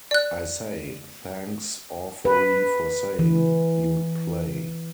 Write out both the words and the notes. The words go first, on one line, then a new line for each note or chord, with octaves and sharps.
I say, thanks awfully for saying you'd play.
D5 F#6
B4
E3